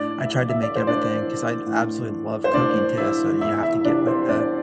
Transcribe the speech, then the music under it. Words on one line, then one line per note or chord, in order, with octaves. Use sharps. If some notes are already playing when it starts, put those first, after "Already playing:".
I tried to make everything 'cause I absolutely love cooking too, so you have to get, like, the,
Already playing: A2 D4 D5
E4 E5
E3
E5
D5
A2 C5
D4 D5
E3
A2
E3
C5
A2 D4 D5
E3 E4 E5
E2 E4 E5
E4 E5
C3 F3 D4 D5
C4 C5
E2 D4 D5
D5